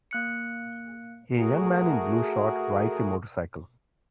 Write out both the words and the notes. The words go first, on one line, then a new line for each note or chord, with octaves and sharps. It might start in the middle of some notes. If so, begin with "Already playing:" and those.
A young man in blue short rides a motorcycle.
A#3 F#6 C#7
A3 F#4 G#4 A#4